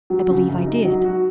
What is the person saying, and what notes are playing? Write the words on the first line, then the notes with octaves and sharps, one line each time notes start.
"I believe I did."
F#3
C#3
F#2
D#4
F#3
F#4